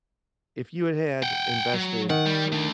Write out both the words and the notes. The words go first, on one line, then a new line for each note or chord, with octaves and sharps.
if you had had invested
F#5 G5
F#3
D#3 F#5
G3
A3 D4